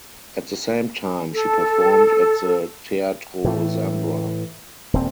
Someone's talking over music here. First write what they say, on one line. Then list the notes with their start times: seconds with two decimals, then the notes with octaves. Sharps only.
At the same time she performed at the Teatro Zambra.
1.33 A4
3.44 A2 E3
4.93 D#1 C4